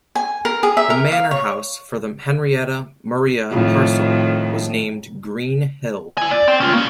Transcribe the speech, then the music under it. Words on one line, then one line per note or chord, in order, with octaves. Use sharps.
The manor house for the Henrietta Maria parcel was named Green Hill.
G#5
A#4
G#4
E5
A#4
F5
C#5
F2 A2 D#3
E4 G#5
D5
C4 G5
C#4 F4
A#3 C#4